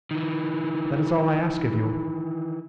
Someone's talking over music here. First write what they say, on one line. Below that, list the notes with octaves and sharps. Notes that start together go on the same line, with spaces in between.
That is all I ask of you.
D#3 E3